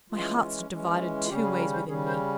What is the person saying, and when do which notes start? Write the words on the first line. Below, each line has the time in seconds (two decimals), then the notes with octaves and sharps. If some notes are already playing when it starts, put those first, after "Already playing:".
My heart stood divided two ways within me.
0.12 E3 G#3 C#4 F4
0.70 E3 G#3 C#4
1.25 F4
1.29 C#3 G3 C#4 G4
1.44 G#4
1.58 A#4
1.73 C5
1.88 C#3 G3 C#4 G#4
2.07 C5